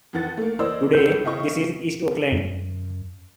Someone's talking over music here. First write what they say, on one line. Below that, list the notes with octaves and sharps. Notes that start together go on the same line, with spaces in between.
Today this is East Oakland.
F2 D#3 E3 F#5 A6
A3 A#3
E3 A#3 C5 D5 D#5 E6
C#2 G6
C#3 C4 E4 D#5 C#6
F#2